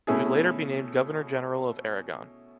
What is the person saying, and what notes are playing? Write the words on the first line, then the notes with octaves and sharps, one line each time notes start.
He would later be named Governor General of Aragon.
B2 A3 C#4 E4 G#4